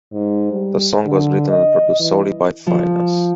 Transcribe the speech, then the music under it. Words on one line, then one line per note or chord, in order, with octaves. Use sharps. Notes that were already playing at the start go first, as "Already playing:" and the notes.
The song was written and produced solely by Finneas.
G#2
G3
D3
D#5
E3
F3